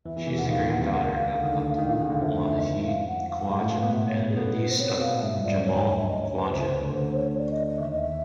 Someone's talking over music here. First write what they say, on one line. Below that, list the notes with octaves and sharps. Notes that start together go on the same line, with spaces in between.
She is the granddaughter of Abdul Majeed Khwaja and the niece of Jamal Khwaja.
E2 E3 E5
E2 E3
E2 E3
D#2 D#3 F#5
D#2 D#3 F5
C3
F#5
C3
F5
C#2 C#3 F#5
F5
D3
D#3
D2 D3
D#3
D3
C#3
D2 D3 F5
F2 F3 E5
D#5
E5
F5
F#5
F5
F#5
G#2 G#3 F5
A2 A3 F#5
B2 B3 F5
B2 B3
E5
C#5
G#4
B2 B3 A4
B4
C5
C3 C4 C#5
B2 B3
B2 B3 F5
A#2 A#3
G#2 G#3 E5
F#3
G2 G3
F2 F3 D5
F#2 F#3
D2 D3 C#5
E5
D#5
C#5
B4
C#2 C#3 C5
C3
B4
D2 D3
B4
D2 D3 C5
C#5
C#5
D5
D#5
D#5
D#2 D#3 E5
D#5
E5